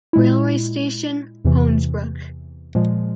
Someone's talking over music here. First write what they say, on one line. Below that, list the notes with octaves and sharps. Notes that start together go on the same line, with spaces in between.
Railway station: Hoensbroek.
A#2 G#3 E4
E2 C3 E3
A#2 F3 G#3